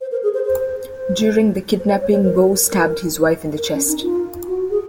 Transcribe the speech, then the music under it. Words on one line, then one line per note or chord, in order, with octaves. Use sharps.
During the kidnapping, Bowe stabbed his wife in the chest.
C5
A#4
G#4
C5
C5
C5
C5
C#5
C#5
C5
A#4
A#4
A#4
C#4
D#4
F4
F#4
G#4